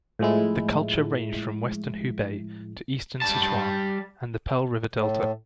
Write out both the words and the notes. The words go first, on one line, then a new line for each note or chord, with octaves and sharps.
The culture ranged from western Hubei to eastern Sichuan and the Pearl River Delta.
A2 F3 G#3 E4
G3 A5
A2